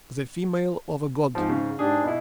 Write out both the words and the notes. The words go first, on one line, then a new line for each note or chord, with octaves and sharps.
The female of a god.
G#2 F3 C4
C#3
G#2 D4 G4 G#4
B2 E4